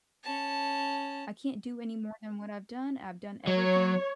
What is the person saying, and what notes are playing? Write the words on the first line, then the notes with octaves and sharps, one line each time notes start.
I can't do any more than what I've done. I've done everything,
C#4 A5
F#3 C#5